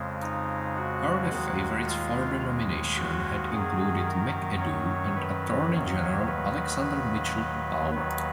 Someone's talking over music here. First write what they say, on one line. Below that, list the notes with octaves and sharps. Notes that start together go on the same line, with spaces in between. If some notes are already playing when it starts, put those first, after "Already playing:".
Early favorites for the nomination had included McAdoo and Attorney General Alexander Mitchell Palmer.
Already playing: F2 C#3 G#3
D#4
F#4
D#2 D#3 G#3
F4
F#4
F#2 D#3 F#3 G#4
A#4
C#5
B4
D#2 D#3 F#3 C#5
B4
B4
D#2 D#3 F#3 B4